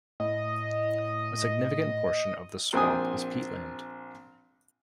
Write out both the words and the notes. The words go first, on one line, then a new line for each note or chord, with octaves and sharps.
A significant portion of the swamp is peatland.
A2 D#5
A#1 C4 G5 G#5 D#6